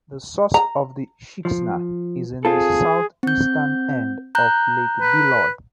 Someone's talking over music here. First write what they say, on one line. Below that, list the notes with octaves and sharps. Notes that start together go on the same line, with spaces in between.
The source of the Sheksna is in the southeastern end of Lake Beloye.
A#5
F3
C4 F4 G#4 A4
C4 G6
A#5 F#6 G6
B4